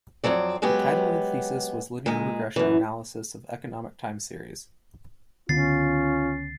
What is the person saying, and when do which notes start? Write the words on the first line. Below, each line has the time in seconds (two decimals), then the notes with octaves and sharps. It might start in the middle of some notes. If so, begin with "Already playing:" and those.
The title of the thesis was "Linear regression analysis of economic time series".
0.24 F2 B2 F#3 C4 D5
0.62 F#3 G#3 B3 G4
2.06 A#2 G#3
2.56 F#2 E3
5.49 C#2 D3 B3 C#4 F4 A6 C7